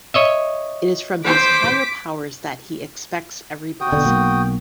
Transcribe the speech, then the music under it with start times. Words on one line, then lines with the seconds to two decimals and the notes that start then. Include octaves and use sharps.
It is from these higher powers that he expects every blessing.
0.14 C#5 D#5 E5
1.25 C5 D6 B6
3.81 F#4 G5 D#6
3.92 B2 D3
4.05 B1 A#3